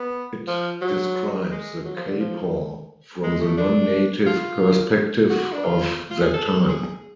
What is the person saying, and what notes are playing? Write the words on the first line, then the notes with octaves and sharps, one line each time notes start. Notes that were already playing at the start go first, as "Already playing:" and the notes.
It describes the Quapaw from the non-native perspective of that time.
Already playing: B3
F3
F#3
G#3
F#3
F3
D3
F3
G#3
A3
D4
F4
F#4
D4
F4
F4
G#4
A4
G#4